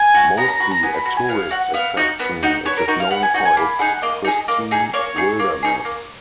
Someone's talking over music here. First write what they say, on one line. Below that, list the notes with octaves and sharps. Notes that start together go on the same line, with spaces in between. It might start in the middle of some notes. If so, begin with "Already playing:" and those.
Mostly a tourist attraction, it is known for its pristine wilderness.
Already playing: G#5
F#4
B3 A#5
A#5
F#4 B5
A#5
B3 G#5
B5
F#4 B5
G#5
B3 F5
F#4 F#5
B3 F5
D#4 F#4
B3
D#4 F#4
B3 C#5
A#4
D#4 F#4 C#5
F5
B3 F#5
G#5
D#4 F#4 F#5
G#5
A#3 B5
D#4 G#4 F#5
A#3 D#5
D#4 G#4
A#3
D#4 G#4
A#3 C#5
D#4 G#4
A#3
D#4 G#4
A#3